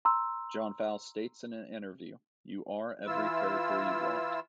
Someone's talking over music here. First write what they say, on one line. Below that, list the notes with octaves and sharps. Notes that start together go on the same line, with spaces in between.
John Fowles states in an interview: You are every character you write.
A#5 C6 E6
E3 E4 F4 E6